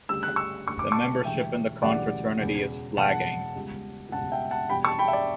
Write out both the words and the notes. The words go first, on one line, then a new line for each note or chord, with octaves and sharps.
The membership in the confraternity is flagging.
D2 C#3 G3 E6
F#6
C#6 E6
D2 C#3 G3 C#6
D6
A5 C#6
E1 D2 C#3 E3 G3 E5 G5
E1 D2 C#3 E3 G3 D5 F#5
E1 E2 C#3
E1 E2 C#3 F#5 A5
C#2 B2 G3
C#2 B2 G3 F#5 A5
E5 G5
F#5 A5
E2 B2 G3 G5 B5
A5 C#6
G5 B5
E5
D5